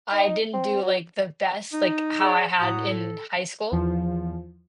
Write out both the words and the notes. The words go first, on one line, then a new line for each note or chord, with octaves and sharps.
I didn't do, like, the best like, how I had in high school
D#4
C4
F#3
D#4
G#4 D5 F#5
A2 F#4 A#5 D#6
A4
E2 F3